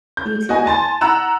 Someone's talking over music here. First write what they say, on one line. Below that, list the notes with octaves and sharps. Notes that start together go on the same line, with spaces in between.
You, too.
G6
F#4 D#5 G#5
G#5 A5 C6 A6
F#5 A#5 E6 F#6 E7